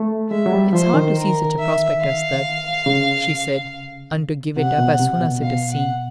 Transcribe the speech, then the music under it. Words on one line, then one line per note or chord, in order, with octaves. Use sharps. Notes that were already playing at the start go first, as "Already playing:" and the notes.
"It is hard to see such a prospect as that," she said, "and to give it up as soon as it is seen."
Already playing: A3
G#3 E5
F#3
G3
F3 C5
D#3
A#4
E5
F5
C#3
C3 F#5
B2
C3
B2
B2 F5
F#5